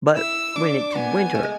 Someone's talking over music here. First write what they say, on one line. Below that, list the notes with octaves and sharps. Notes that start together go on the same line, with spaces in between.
but, when it's winter,
E4 E6
D4 D6
B3 G#5
A3
G#3